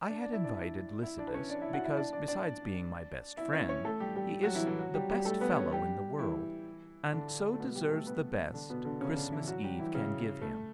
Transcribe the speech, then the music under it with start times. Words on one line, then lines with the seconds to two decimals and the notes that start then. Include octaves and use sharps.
I had invited Lycidas, because, besides being my best friend, he is the best fellow in the world, and so deserves the best Christmas eve can give him.
0.09 D4 D5
0.21 D4 D5
0.32 E4 E5
0.44 D4 D5
0.56 E4 E5
1.03 E4 E5
1.18 D4 D5
1.27 B4
1.34 C#4 C#5
1.50 D4 D5
1.61 E4 E5
1.73 F#4 F#5
1.85 E4 E5
1.97 D4 D5
2.13 D4 D5
2.28 D4 D5
3.37 E4 E5
3.53 C#4 C#5
3.69 C#4 C#5
3.85 A3 A4
4.00 G3 G4
4.16 G3 G4
4.43 F#3 F#4
4.55 E3 E4
4.67 E3 E4
4.79 F#3 F#4
4.94 G3 G4
5.10 G3 G4
5.25 A3 A4
5.41 B3 B4
5.57 C#4 C#5
5.72 G3 G4
6.19 E3 E4
7.13 D3 D4
7.53 A3
7.60 B2 B3
7.75 G3 G4
7.91 A3 A4
8.07 B3 B4
8.54 D3 D4
8.70 B2 B3
8.85 D3 D4
9.01 C#3 C#4
9.16 D3 D4
9.32 E3 E4
9.47 F#3 F#4
9.63 G3 G4
9.79 E3 E4
9.94 C#3 C#4
10.42 A3